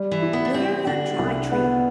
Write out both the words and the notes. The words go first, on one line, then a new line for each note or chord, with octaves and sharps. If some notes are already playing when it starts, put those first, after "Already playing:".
Ware the Dry Tree!
Already playing: G3
E3
E4
B3
D4
G3 C4
D3 D4
C2
B3